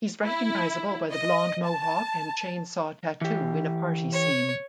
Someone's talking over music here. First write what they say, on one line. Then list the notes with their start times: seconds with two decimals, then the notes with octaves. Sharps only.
He's recognizable by the blonde mohawk and chainsaw tattoo in a party scene.
0.23 E4
1.11 D#5
1.66 A5
3.21 E3 G4
4.13 C#5